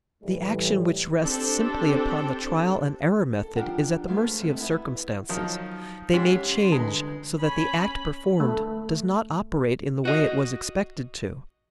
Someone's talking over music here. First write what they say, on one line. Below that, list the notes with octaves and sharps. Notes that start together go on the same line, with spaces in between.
The action which rests simply upon the trial and error method is at the mercy of circumstances; they may change so that the act performed does not operate in the way it was expected to.
A2 E3 G3
C4 D4 G4 A4
A4
D#3 F3 D4 G4 F5 F#5
G#3 A3 B3 C5 F5
G#2 C3 A3
B3 E4
D#3 F3 F#3 D#4
G#2 C#4 G4
C6
C2 D3 G#3 B4
C#4 B5
A3
F#4 D#5